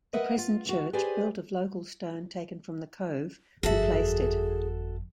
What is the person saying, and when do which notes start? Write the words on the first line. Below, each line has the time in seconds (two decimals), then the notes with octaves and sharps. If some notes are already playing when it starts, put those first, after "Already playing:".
The present church, built of local stone taken from the cove, replaced it.
0.13 A#4 B4 D#5 E5 F#5
0.38 F4
0.66 D2 F#4
0.93 G4 G#4 B4 C5 D5 G#5
3.63 G1 F2 F#4 G#4 A4 E5